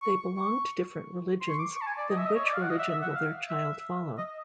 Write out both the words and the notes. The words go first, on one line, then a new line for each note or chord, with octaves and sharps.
They belong to different religions, then which religion will their children follow?
C#6
C#6
C6
C#6
D6
C#6
A5
G#5
D5
D#5
E5
D#5
C#5
D5
F5
F#5
D#5
E5
E5
F#5
F5
E5
D#5